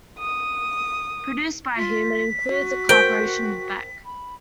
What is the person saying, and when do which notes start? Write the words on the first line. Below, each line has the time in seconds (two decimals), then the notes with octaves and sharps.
Produced by him, it includes a collaboration with Beck.
0.18 D#6
1.76 F4 B6
2.49 F#4
2.89 A#4 C5 G5
4.05 B5